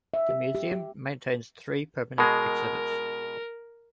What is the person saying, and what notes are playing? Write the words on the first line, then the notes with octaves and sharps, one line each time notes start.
The museum maintains three permanent exhibits.
E5
G4
G4
G4
B2 G#3 A#4